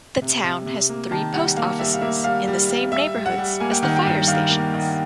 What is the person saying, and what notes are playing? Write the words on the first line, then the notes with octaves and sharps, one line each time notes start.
The town has three post offices, in the same neighborhoods as the fire stations.
C3
C3
C3
A#3
D#3 A5
G3 F#5
A#3 F5
G3 E5
F5
A#3 E5
G3 F5
G3
G3
G3 E5
G3
F#5
G3
A#3 G#5
G5
D#3 F#5
G5
G2
D#3 F5
A#3
D#3